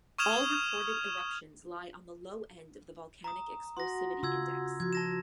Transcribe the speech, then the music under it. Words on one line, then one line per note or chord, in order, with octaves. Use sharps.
All recorded eruptions lie on the low end of the Volcanic Explosivity Index.
C#6 D#6 F6 G#6 E7 F7
A#5 D#6
F#4 F#5 C6 A#6
C#3 F4 C6 E6 G#6
F3 F4 F#4 G#6
A5 A#6 E7